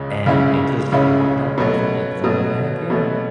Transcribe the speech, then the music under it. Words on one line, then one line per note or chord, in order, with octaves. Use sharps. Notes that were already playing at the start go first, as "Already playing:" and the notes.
and it just it worked out perfectly 'cause I was like, "Heck yeah."
Already playing: C#2 C#3 G#3
C#2 C#3 G#3 C#4 E4
C#2 C#3 G#3 C#4 E4
B2 F#3 A3
B2 F#3 A3
B2 F#3 A3